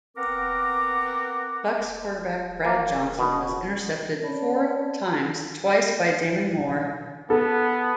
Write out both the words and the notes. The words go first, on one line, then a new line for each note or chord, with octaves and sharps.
Bucs quarterback Brad Johnson was intercepted four times, twice by Damon Moore.
B3 C4 A#4 F#5 A#5 D6
A#3
B2
C4 C#4 C#5 D5 A5 B5
B3 A4